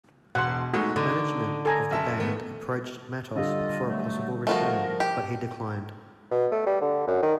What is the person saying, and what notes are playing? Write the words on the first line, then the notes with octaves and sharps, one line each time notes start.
Management of the band approached Matos for a possible return, but he declined.
E1 B2 F#5 C6
G#3 A3 D#4 F#4
D3 D4 D#4
A4 G#5 A#5
F#1 E5 A5
D#3 A3 B3
D3 G3 F4 A4 D#5
F#3 A3
D#3 F3 A3 F4 F#4 A#4
G4
B2
A3
G3
D3
F#2
D#3